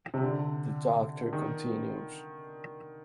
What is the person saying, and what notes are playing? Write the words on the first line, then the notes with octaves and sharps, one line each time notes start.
The Dr. continues.
C3
D3
D#3